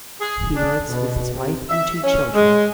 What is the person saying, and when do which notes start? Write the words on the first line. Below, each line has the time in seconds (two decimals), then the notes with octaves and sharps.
He lives with his wife and two children.
0.21 G#4
0.56 D4
0.88 B2
1.33 C3
1.69 E5
2.04 C#4
2.35 G#3